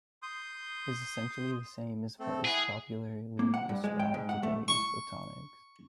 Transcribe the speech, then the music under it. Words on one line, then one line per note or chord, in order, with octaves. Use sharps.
It is essentially the same as what is popularly described today as photonics.
C6 D#6 G6
A3 C4 A4
E4 G#4 F#5 G#5
A#3
F#5
G2
G#3
G5
G#2
F#5
A3
C#6